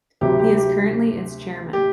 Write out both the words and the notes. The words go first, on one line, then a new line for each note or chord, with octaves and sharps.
He is currently its chairman.
D2 C3 F#3 G4
G4
G4
G4